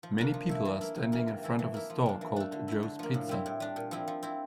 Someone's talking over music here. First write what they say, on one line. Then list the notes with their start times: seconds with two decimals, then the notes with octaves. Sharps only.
Many people are standing in front of a store called Joe 's Pizza.
0.03 F3
0.18 A#3 D4
0.34 F3
0.49 A3 E4
0.65 E3
0.81 A#3 E4
0.96 A2
1.12 E3 A#3
1.28 C3
1.43 E3 A3 E4
1.59 E3
1.74 A#3 E4
1.90 F3
2.06 A#3 D4
2.21 E3
2.36 A3 D4
2.52 D3
2.68 A3 E4
2.83 D3
2.99 F3 A#3
3.14 A2
3.29 G3 C4 E4
3.46 A2
3.60 G3 D4
3.76 A#2
3.91 F3 C4 E4
4.08 F3
4.23 C4 E4